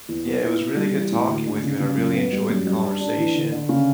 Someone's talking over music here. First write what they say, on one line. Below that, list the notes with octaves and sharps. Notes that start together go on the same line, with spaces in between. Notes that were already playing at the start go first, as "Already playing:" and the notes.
Yeah, it was really good talking with you, and I really enjoyed the conversation.
E2
B3
E4
B2
G3
E3
A2
D2
D3
C#3
C#3
F#2
B3
G3
F#2
G3
D4
D4
E3
D3
D3
C#3